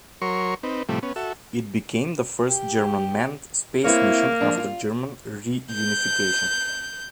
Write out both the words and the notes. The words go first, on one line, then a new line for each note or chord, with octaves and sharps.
It became the first German manned space mission after German reunification.
F#3 A#4 C#5 C6 C#6
C4 D#4 B4
A2 C3 F3 G3 A3
B3 C#4
F#4 A4 E5
G4
A#3 C4 E4 C#5
F3 D4
F4
G6